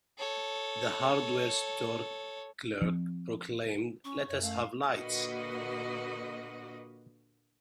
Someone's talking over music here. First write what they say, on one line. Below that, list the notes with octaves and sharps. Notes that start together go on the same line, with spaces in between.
The hardware store clerk proclaimed, "Let us have lights!"
A4 C#5
F3 C4
C#4 C#6
F#2 C#5
A3 F5
A#2 D3 A#3 F#4 B4 D#5